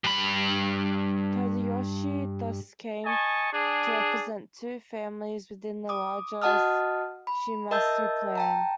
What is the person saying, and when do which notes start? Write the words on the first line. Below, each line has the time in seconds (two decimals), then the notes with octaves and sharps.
Tadayoshi thus came to represent two families within the larger Shimazu clan.
0.04 G2 B5
3.05 D#5 G#5 A5 C#6
3.52 D4 G#4
5.89 D6 D#6
6.42 F#4 D#5 F#5 A5 D#6 F6
7.27 B5
7.71 A#4 D#5 E5 A5 E6 G6
8.35 G5 A5 A#5